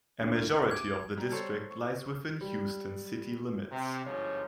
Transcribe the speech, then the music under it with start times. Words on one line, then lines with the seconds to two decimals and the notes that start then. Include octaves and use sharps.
A majority of the district lies within Houston city limits.
0.20 D2
0.71 D6 G#6
1.17 G3 A#5
1.31 A4 C5 C#5
1.71 C#6
2.41 G3
3.71 C3
4.05 G1 G#2 F3 C#5